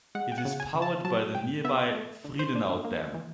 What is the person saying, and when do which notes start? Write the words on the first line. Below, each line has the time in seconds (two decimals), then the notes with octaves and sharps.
It is powered by the nearby Friedenau Dam.
0.15 G#3 F#5
0.32 G5
0.38 F#5
0.45 C#3
0.60 G#5
0.75 C#3
0.82 A5
1.04 F#3 A5
1.35 C3 G5
1.65 B3 E5
1.95 A3
2.24 D3
2.39 C5
2.55 D4
2.85 A#3
3.14 E3